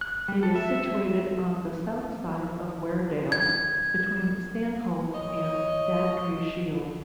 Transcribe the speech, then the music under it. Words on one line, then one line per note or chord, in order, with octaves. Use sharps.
It is situated on the south side of Weardale, between Stanhope and Daddry Shield.
F#6
G3
A4
E5
E5
G#6
C#5 D#5